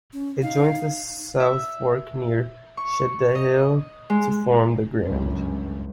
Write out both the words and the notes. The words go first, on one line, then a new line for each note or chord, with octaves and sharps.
It joins the South Fork near Shadehill to form the Grand.
C#4
D#4 F5
E5
C#6
D#5
G#3
G1 C#2 F#2 A2